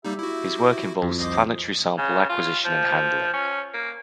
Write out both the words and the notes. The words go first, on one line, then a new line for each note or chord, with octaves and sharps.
His work involves planetary sample acquisition and handling.
G3 A#3 D#4 G4 E5
E4 F#4
F2
C2 C5 D#5 D6
C#3
F4
F3
C#4
A#3